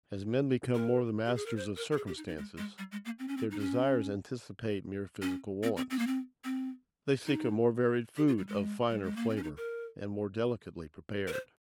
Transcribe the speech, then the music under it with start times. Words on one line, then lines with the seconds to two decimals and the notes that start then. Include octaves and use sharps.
As men become more the masters of circumstances, their desires anticipate mere physical wants; they seek a more varied food of finer flavor and more delicately prepared.
0.75 A#4
1.25 G4
1.35 G#4
1.46 A#4
1.56 C5
1.77 A#4
1.92 A#4
1.97 G#4
2.07 G4
2.17 D#4
2.28 D#4
2.38 G#3
2.58 G#3
2.78 G3
2.92 G#3
3.05 A#3
3.19 C4
3.28 C#4
3.37 C4
3.51 D#4
3.59 C#4
5.22 C#4
5.63 C4
5.77 C4
5.90 C4
5.99 A#3
6.07 C4
6.44 C4
7.26 D#4
8.17 G4
8.28 F4
8.38 G3
8.48 G#3
8.90 G3
9.03 G#3
9.16 A#3
9.30 C4
9.37 C#4
9.43 D#4
9.57 A#4
11.28 A#4
11.33 C5